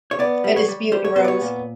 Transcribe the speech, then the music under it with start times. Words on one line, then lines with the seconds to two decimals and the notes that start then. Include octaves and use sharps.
A dispute arose.
0.11 C#5
0.19 B3 D5
0.44 G3
0.56 C#5
0.68 G3
0.92 G3 C5
1.05 C#5
1.16 B3 C5
1.24 D5
1.28 C#5
1.41 A#2